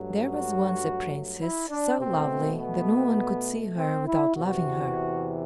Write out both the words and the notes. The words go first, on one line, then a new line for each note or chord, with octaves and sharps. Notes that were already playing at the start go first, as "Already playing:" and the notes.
There was once a Princess so lovely that no one could see her without loving her.
Already playing: G2 F#3 A3
F#4
E4
D4
B2 A3 C4
B3
C4
E4
E2 C3 E3 F#4